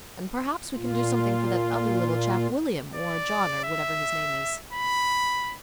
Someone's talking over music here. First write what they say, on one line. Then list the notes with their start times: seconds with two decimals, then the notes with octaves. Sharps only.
And perhaps we can do something for that other little chap, William, or John, or whatever his name is.
0.75 A#2 F4
2.95 D5
3.64 E5
4.73 B5